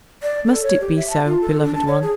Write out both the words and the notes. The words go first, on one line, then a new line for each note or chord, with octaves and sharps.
Must it be so, beloved one?
D5
A4
C#5
G4
E5
A5
F4
A4
D4
A5
C#5
G#4